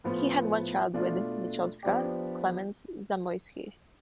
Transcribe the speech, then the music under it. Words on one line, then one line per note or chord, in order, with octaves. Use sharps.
He had one child with Michowska, Klemens Zamoyski.
A2 F3 B3 F4
B2 A3 D4 F4
F3 B3 D4 G4